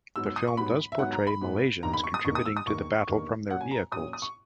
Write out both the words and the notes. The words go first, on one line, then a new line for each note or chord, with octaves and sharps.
The film does portray Malaysians contributing to the battle from their vehicles.
G#2 F#3 B3 E6
E6
D#6
C#6
G#2 F#3 B3 B5
E5
G#2 F#3 B3 F#5
A#5
B5
G#2 F#3 B3
E1 D#2 D#3 A#3 A#5
B5
C#6
D#6
E1 D#2 D#3 A#3 C#6
D#6
E6
D#6
E1 D#2 D#3 A#3 C#6
E1 D#2 D#3 A#3
A#2 F#3 C#4 F#5
G#5
A#5
A#2 F#3 C#4 D#6
D#6
C#6